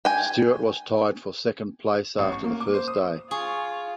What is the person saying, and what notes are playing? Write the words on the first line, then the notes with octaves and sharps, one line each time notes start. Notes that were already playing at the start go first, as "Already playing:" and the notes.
Stewart was tied for second place after the first day.
G5 G#5
A1
C#6
A#3
D6
C5
D#6
F4 G#4 C#6